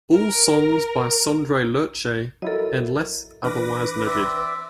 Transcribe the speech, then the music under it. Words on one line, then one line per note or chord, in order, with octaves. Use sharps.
All songs by Sondre Lerche unless otherwise noted.
A#4
F#3 E4 A4 A#4 D#5
E3 D4 B4 D6 F6 A#6
C4 D5 E5